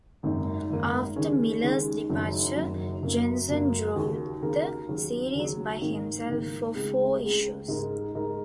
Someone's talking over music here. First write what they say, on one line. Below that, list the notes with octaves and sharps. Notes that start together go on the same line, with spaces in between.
After Miller's departure, Janson drew the series by himself for four issues.
G#1 F#2 D#3 A#3
G#1 F#2 D#3 A#3
D#2 D#3 G#3 C#4
D#2 D#3 G#3 C#4
F#1 F#2 D#3 F#3
F#1 F#2 D#3 F#3
F#2 F#3 A#3
F#2 F#3 A#3
D#2 C#3 A#3 F#4 A#4
D#2 C#3 A#3 F#4 A#4
D#2 C#3 F#3
D#2 C#3 F#3
G#2 D#3 A#3
G#2 D#3 A#3
C#2 C#3 G#3
C#2 C#3 G#3
G#2 G#3 D#4 A#4
G#2 G#3 D#4 A#4